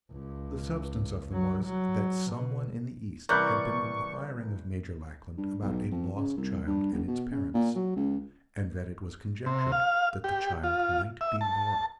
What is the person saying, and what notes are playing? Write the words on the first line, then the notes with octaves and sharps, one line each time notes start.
The substance of them was, that some one in the east had been inquiring of Major Lackland about a lost child and its parents, and that it was conjectured that the child might be Laura.
C#2
F#3
F#3
B2
C2 E3 A#4 D5 B5 C#6 F#6 G6
G2
B1
F2
C#3
C2
G2
F#1
B2
C#3
A#2
F#3
C#2
C3
F5
G4
F4
E5
A5